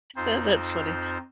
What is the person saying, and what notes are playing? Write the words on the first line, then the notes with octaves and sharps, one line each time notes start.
Yeah, that's funny.
F2 C4 D#4 F4 C5